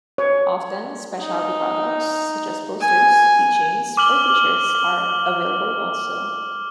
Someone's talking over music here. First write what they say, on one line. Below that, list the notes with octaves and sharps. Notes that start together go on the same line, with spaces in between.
Often specialty products, such as posters, keychains or t-shirts, are available also.
C#5
D#4
G#5
D6 F6 F#7 G7